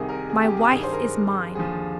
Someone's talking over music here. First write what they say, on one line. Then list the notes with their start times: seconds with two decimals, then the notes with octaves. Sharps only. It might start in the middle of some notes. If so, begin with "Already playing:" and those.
My wife is mine.
Already playing: C2 C3 D#3 G#4
0.09 A#4
0.30 G#4
0.44 G4
0.57 G#4
0.72 G2 D#3 G#4
0.83 C5
0.93 A#4
1.55 D#2 D3 F3 G#4